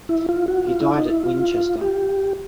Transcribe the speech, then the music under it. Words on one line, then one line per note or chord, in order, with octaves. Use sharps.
He died at Winchester.
E4
F4
F#4
F4
E4
D#4
E4
F4
G4